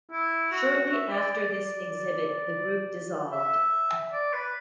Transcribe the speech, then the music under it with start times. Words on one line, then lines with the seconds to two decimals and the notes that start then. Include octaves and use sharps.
Shortly after this exhibit, the group dissolved.
0.11 E4
0.52 F#4
0.92 E5
1.12 D5
1.32 D5
1.52 D5
3.32 E5
4.13 D5
4.33 B4